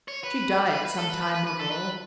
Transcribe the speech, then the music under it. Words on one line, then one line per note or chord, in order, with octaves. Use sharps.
She died some time ago.
C#5
B4
B4
B4
A4
B4
B4
B4
B4
A4
B4